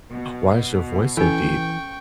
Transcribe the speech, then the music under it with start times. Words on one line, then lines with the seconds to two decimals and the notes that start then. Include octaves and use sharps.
"Why is your voice so deep?"
0.13 B2
1.17 E3 C#4 A4 G5 C#6